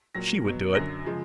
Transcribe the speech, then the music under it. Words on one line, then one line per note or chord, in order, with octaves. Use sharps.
She would do it.
A#2 F#3 A#6
B2 F#3
F#2 D3 F#3 A#6
C#3 F3 G#3